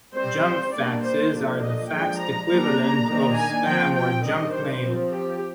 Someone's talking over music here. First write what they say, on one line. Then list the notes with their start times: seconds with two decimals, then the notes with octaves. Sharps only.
Junk faxes are the faxed equivalent of spam or junk mail.
0.15 G3 C4 C5
0.73 G3 A#3 D4 D5
1.03 C5
1.33 D3 F3 A#3 D4
1.61 D#5
1.90 F3 G#3 D4 G5
2.19 A#5
2.49 G3 A#3 D4 A#5
3.07 D#3 A#3 D4
3.35 G#5
3.65 F3 C4 G5
3.94 G5
4.23 D#3 G3 D4 D#5
4.53 C5
4.82 F3 C4
5.11 G4